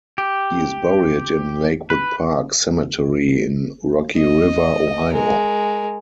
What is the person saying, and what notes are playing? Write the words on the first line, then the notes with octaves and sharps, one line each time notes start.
He is buried in Lakewood Park Cemetery in Rocky River, Ohio.
G4
B4
D#5
G#3 A#4